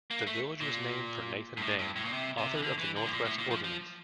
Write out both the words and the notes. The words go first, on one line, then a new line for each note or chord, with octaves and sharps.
The village was named for Nathan Dane, author of the Northwest Ordinance.
A#3
A3
A#2
G2
A2
G2
A2
A#2
C3
C3
E3
D3
E3
D3
A2
A#2
A2
A#2
F3
F3